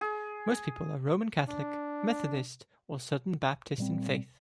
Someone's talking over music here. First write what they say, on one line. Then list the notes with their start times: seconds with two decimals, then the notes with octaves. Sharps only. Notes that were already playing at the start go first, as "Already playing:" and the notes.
Most people are Roman Catholic, Methodist, or Southern Baptist in faith.
0.01 G#4
1.49 D4
3.78 A#2 G3 C4